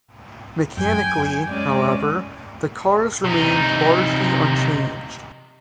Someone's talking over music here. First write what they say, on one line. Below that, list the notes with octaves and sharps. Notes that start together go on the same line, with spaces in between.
Mechanically, however, the cars remained largely unchanged.
F#2 G5 G#5
G#3 C#4 D5
C3 D#4